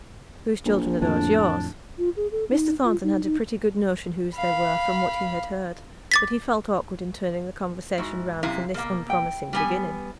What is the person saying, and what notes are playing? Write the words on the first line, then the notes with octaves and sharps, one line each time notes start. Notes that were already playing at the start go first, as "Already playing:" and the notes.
'Whose children are those--yours?' Mr. Thornton had a pretty good notion whose they were, from what he had heard; but he felt awkward in turning the conversation round from this unpromising beginning.
A#1
F2 A2 D3 D4
F4
G#4
A4
D#4
F4
D#4
D#4
F5 B5
D6 A6 B6
G#2 E4 F#4
F#2 C3 E4 F5
B2 A#3 A#4 F5
E4 G5
G3 B3 G#5